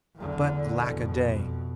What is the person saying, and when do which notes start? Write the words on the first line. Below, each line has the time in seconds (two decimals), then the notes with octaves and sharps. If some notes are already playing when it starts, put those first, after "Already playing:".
But alack-a-day!
0.16 E2 D3
0.85 F2 B2